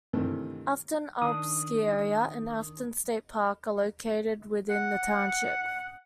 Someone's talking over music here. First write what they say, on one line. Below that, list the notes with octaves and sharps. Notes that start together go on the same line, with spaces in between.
Afton Alps Ski Area and Afton State Park are located within the township.
G2 C3 D#3 E3 A3 C4
D#3 D4 D#6
F#5